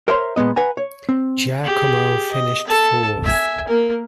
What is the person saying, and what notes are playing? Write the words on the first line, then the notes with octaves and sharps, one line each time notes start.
Giacomo finished fourth.
A#4 C5 C#5 E5 A#5 C6
A#2 G#3 B3 D#5
B4 F#5 G#5 A#5
C#5
C4
G4 G#4
D#5
A4 A5
E5 G#5
A#3 A#4